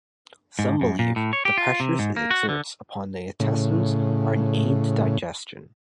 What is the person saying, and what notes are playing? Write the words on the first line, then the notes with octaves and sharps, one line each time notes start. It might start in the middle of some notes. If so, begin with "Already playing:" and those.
Some believe the pressures it exerts upon the intestines are an aid to digestion.
G#2
F#2
A#2
A2
C#5
G4
F4
C3
G#2
A#3
F#4
D3
A2 C#3